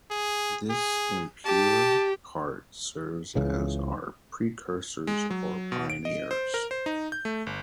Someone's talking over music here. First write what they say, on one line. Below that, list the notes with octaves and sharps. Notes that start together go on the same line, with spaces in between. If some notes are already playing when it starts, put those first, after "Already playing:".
This impure part serves as our precursors or pioneers.
G#4
G#4
G4 A5
C#2 C#3 E3
G#3
F#3
B2
D7
D#5
C5
A#4
C5
D#4
G6
A3
G1